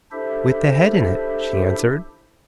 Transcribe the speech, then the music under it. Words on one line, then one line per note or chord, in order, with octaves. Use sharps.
"With the head in it," she answered.
D4 E4 G4 A4 C5 E5